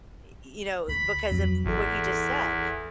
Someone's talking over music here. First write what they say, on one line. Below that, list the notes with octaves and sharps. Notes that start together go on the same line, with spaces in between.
Y you know, because of what you just said,
D2 B5
F2 F#3
G#1 E2 E3 A4